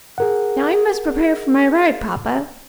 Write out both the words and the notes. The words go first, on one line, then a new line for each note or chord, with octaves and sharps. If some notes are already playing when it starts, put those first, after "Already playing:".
Now I must prepare for my ride, papa.
G#4 A#4 F#5